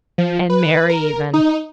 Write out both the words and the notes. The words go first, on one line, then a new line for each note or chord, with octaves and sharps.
And Mary even.
F3
B4
A#4
D#4